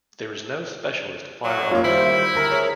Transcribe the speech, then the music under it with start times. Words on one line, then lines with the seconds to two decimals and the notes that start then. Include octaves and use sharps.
There is no specialist firearms unit.
1.44 F#3
1.71 F#2 A#3 F4 C#5 F5
1.84 D#3 G3 E4 C5
2.06 E5
2.35 D2 A#4 A#5
2.52 G#4 C#5